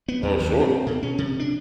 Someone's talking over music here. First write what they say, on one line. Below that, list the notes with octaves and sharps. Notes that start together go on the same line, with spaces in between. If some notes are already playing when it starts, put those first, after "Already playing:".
Oh, sure.
B3
E2
D#2
C4
B2
C#4
C3
D4